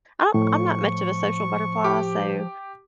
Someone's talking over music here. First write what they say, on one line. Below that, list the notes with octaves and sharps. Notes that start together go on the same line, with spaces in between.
I'm I'm not much of a social butterfly, so
A2 F3 C#6
G4 D6